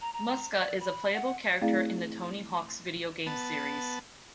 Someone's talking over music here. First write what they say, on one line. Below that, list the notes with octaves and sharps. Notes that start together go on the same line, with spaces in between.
Muska is a playable character in the "Tony Hawk's" video game series.
A#5
A#5
D5
B5
F#5
A3 C4 E4 G#4 D5 F5
B3 A5